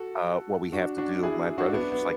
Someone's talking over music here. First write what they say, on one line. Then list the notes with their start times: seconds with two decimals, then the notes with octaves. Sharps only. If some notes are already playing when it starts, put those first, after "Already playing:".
"Uh, what we have to do" my brother's just like,
Already playing: F#4 A4
0.72 D4 F#4
0.98 D4 F#4
1.23 E4 G#4
1.58 D4 F#4
1.74 B3 D4
1.92 B3